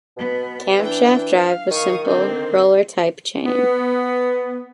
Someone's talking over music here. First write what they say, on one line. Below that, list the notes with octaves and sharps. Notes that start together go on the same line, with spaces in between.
Camshaft drive was simple roller-type chain.
B2 B3
E3 D4 G5
F5
D#3 F5 C#6 D#6
D3 C4
B3